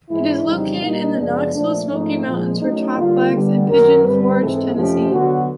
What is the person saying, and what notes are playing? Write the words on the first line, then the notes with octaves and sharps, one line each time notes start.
It is located in the Knoxville-Smoky Mountains metroplex in Pigeon Forge, Tennessee.
G#2 E3 G#3 E4
F2 C#3 E3 G3 D#4
A#2 G3 A#3 D#4
F#2 C#3 F3 G#3 B3 D4
A#2 F3 A3 D4
G#2 F3 A3 C#4 D#4
A#2 F3 G#3
A2 F#3 A3 C#4 D#4
D3 G3 A#3 F4
D3 G3 B3
F#2 D#3 F#3 A#4
G2 D3 G3 C4 B4
G#2 E3 G#3 C4 A4
F2 C3 F3 A3 C#4 G4
D3 F#3 B3 F#4